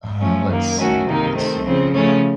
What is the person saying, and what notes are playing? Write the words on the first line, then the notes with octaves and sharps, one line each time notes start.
Uh, let's see, let's see.
F3 A3 C#4
F#2 D#3 A#3
D#3 A3 C#4 F#4
C3 D#3 A#3 D#4
D#3 A3 C4
C#3 F3 C4
C#3 F3 A3 C#4